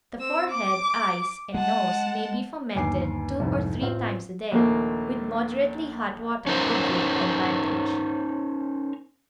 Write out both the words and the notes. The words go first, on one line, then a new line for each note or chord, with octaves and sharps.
The forehead, eyes, and nose may be fomented two or three times a day with moderately hot water with great advantage.
C4 E6
D6
G#3 F#5 A5
G1 D#2 G#5 D6 C7
C2 F2 G#2
A1 C4 F4 F5
A#1 D#2 A#2 A3 A#3
C#4 D#4 A#4 C5